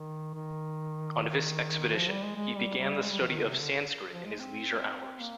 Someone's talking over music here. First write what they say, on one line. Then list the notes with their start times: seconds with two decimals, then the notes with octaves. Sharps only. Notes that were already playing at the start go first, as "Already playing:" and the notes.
On this expedition, he began the study of Sanskrit in his leisure hours.
Already playing: D#3
0.34 D#3
1.96 F3
2.10 G3
2.23 G#3
2.36 G#3
2.57 G3
2.77 G3
3.02 G#3
3.10 G3
3.19 F3
3.28 D#3
3.38 D3
3.48 C3
3.59 D3
3.71 D3
4.13 F3
4.26 G#3
4.39 C4
5.21 A#3